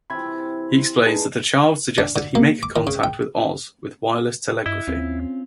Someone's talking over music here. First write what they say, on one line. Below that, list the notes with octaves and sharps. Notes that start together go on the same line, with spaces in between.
He explains that a child suggested he make contact with Oz with wireless telegraphy.
C3 E3 C4 B5 G#6
D4 D#4 G#4 B4
D4
D3
A#3
D6
D#3
C#3
G5
G2 E4 D#5
D#2 C4 C#4 F4